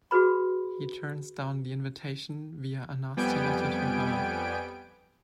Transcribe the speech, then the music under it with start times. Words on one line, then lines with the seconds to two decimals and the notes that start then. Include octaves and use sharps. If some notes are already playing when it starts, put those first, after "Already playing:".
He turns down the invitation via a nasty letter to her.
0.11 F#4 G#4 B4 B5
3.16 F2 G3 B3 G5 G#5 D7